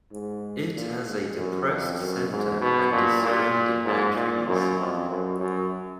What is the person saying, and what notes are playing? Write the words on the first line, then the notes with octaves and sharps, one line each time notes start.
It has a depressed centre and is surrounded by trees.
G#2
A#2
G#2
F#2
F2
F#2
G#2
B2
A#2
A#2
G#2
A#2
F#2
F2
F#2
F#2